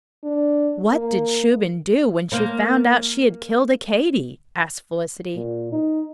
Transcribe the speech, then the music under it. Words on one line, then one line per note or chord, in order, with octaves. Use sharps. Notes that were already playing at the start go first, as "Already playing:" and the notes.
"What did Shuben do when she found out she had killed Accadee?" asked Felicity.
D4
A#3
A#3 C5
A#2
D#4